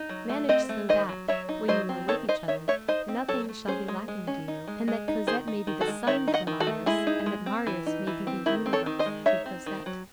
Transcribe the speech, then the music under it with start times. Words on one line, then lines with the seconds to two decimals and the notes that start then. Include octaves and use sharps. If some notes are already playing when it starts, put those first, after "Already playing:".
Manage so that, when you are with each other, nothing shall be lacking to you, and that Cosette may be the sun for Marius, and that Marius may be the universe to Cosette.
Already playing: D#4
0.09 F#3
0.29 A3
0.49 C4 C5 D#5
0.69 A3
0.89 D#3 C5 D#5
1.09 F#3
1.28 F#3 C#5 E5
1.49 D#4
1.68 F#3 C5 D#5
1.89 C4
2.08 D#3 A4 C#5
2.28 D#4 C5 D#5
2.48 D#3 C#5 E5
2.68 A3 C#5 E5
2.88 D#4 C5 D#5
3.08 C4
3.28 F#3 A4 C#5
3.49 A3
3.67 C#4 G#4 C5
3.88 G#3
4.08 G#3
4.27 C#4
4.48 D#4
4.67 G#3
4.88 G#3
5.08 D#4
5.27 D#3 G#4 C5
5.48 D#4
5.67 D#3
5.81 F#4 A4
5.87 G#3
6.07 D#3 C#5 E5
6.28 D#4
6.34 D#5 F#5
6.47 D#3
6.60 F#4 A4
6.67 A3
6.86 G#3 E4 G#4
7.07 D#4
7.26 G#3
7.46 C4
7.67 E3
7.86 D#4
8.07 E3
8.27 C4
8.46 D#3 E4
8.66 C4
8.73 A4 C#5
8.86 D#3
8.99 C5 D#5
9.06 G#3
9.26 D#4 C#5 E5
9.46 C4
9.66 D#3
9.86 F#3